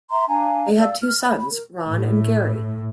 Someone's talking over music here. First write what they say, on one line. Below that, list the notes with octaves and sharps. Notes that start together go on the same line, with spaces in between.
They had two sons, Ron and Gary.
E5 A#5 C6
D4 F5 G#5 A#5
D5 F5 E6
F6
B5
A#4
A2